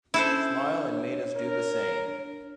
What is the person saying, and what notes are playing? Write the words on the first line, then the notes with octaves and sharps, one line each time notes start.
Smile and made us do the same.
C#4 D4 E4 A4 C5
C#5
A#4